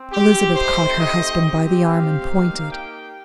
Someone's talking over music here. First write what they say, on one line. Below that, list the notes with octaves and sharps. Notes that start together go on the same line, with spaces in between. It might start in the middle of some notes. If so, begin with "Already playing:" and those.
Elizabeth caught her husband by the arm and pointed.
Already playing: C4
G4
A3 C4 D#4 G4 C5
D#5
C4 G4
F5
A#3 D#4 G4
G5